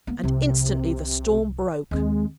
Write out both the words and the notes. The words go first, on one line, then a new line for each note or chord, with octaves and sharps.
And instantly the storm broke.
A#3 B3
C2 F2 C3
D#2 G#3 C4